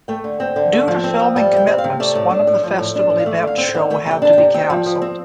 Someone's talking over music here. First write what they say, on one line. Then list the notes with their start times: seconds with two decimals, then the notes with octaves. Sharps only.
Due to filming commitments one of the festival events show had to be canceled.
0.08 A3 G5
0.24 D3
0.40 C4 G5
0.56 D3
0.73 A3
0.88 F3
1.04 C4
1.19 F3
1.36 G3 A5
1.52 C3 G5
1.67 C4
1.78 F5
1.84 C3
2.00 A3 D5
2.15 A2
2.31 D4
2.47 A2
2.63 F3
2.79 A2
2.95 D4
3.10 A2
3.20 F5
3.26 A3 D5
3.43 D3 F5
3.58 C4
3.69 G5
3.74 D3
3.90 A3 G5
4.06 C3 G5
4.22 D4 A5
4.33 G5
4.38 C3
4.54 C4 G5
4.70 F3
4.86 F3
5.02 C4